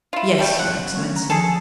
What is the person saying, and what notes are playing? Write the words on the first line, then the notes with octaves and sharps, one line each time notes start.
"Yes, your excellency."
E4 F4
G3 A3
F#2 B2 F#5
F#3 A3 C#4
A#5
F3 G#4 A4